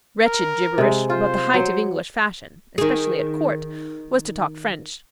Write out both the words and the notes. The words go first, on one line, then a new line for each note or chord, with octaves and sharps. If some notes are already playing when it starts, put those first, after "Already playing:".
Wretched gibberish; but the height of English fashion, especially at court, was to talk French.
A#4
C3 G#3
F4 C5
F#3
D#3 G#4